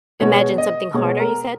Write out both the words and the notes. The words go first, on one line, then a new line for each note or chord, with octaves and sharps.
Imagine something harder, you said?
B2 G#3 B3 C#5
D#5
B2 G#3 B3 C#5
A#4